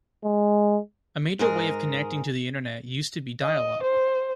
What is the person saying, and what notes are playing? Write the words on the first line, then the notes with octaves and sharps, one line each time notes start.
A major way of connecting to the Internet used to be dial-up.
G#3
G#2 G#4 A#4
D#5
C5